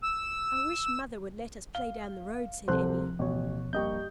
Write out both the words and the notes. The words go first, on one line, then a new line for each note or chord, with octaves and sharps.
"I wish mother would let us play down the road," said Emmy.
E6
F5 G7
D1 C2 C3 F3 A4 C5 F#6
A1 B2 C#5
G2 A#3 G4 D#5 C#6 G6